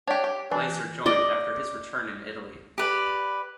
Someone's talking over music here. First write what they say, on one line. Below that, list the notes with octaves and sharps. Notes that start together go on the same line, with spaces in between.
Glaser joined after his return in Italy.
D4 G4 C#5
G4
E3 D4
D5 D#5
G4 B4 D5